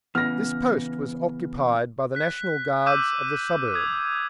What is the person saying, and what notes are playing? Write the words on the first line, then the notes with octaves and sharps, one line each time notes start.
This post was occupied by the National Guards of the suburbs.
C#3 E3 B3 F6 A#6
F#6 B6
D6 E6 G6 D#7
D#6 G#6